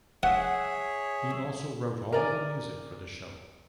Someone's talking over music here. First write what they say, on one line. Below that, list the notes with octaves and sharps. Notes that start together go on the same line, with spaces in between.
He also wrote all the music for the show.
G#4 C#5 E5 F#5
A#4 D5 G#5